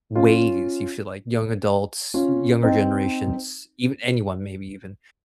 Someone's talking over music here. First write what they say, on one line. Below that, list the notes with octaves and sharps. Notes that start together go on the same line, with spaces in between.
ways you feel like young adults, younger generations, even anyone maybe even,
C#4 F4
C#4 F4
C4 D#4